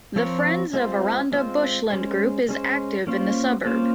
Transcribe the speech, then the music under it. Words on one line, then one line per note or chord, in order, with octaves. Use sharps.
The Friends of Aranda Bushland group is active in the suburb.
F3 C4 F4 A#4 C#5
G#3 C4 F4 C5
G#3 C4 F4 C5
G#3 C#4 G#4 C5
G#3 C#4 G#4 C5
A#3 C#4 F4 C5
A#3 C#4 F4 C5